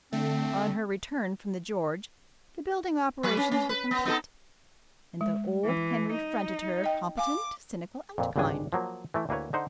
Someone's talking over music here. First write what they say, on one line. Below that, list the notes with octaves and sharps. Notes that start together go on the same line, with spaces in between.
On her return from the George the building operations were complete, and the old Henry fronted her, competent, cynical, and kind.
D3 A3 C4
F#3 B4
C#4
C#4
B4
B3
B3 D#4 A4
G#3
E3
D#4
D#5 G5
F5 G#5 D6
F2 A#2
G#1 C#2 G2 C#3 D4 G#5
F3 F#3 A#3
E3 A3 E4
D2 A#3 E4 B4 C#5
D3 D#4 C5 F#5